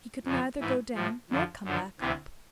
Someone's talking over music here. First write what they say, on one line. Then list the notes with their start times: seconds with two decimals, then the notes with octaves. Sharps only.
He could neither go down nor come back up.
0.25 F2 C#3 F3
0.60 G#2 E3
0.95 A2 F3
1.30 F2 D3 F3
1.65 F#2 D3 F3
1.99 D2 C3 E3